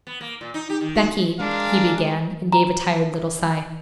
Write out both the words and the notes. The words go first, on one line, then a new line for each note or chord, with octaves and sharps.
'Becky,' he began, and gave a tired little sigh.
B3
A#3
A#2
D#4
G4
D#3
F#4
G#3 D4 A#4 F5
A#5